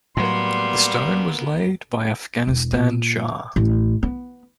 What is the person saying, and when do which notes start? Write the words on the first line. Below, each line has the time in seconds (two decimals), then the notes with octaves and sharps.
The stone was laid by Afghanistan Shah.
0.17 A2 F#3 G3 A#3 B3 C6
2.47 E1
2.73 A#2
3.56 A1
4.03 B3